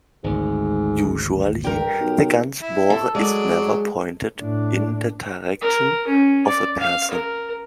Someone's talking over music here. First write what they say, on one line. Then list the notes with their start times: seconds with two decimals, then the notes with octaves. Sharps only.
Usually the gun's bore is never pointed in the direction of a person.
0.24 G#1 D2 G#2
1.64 G2 G4 A#4
2.00 B1
2.62 E4
2.90 A4
3.15 F#3 G#3 D5
4.38 A2 D4
5.62 A#4
6.07 C#4
6.46 D5
6.80 F5
7.11 A#4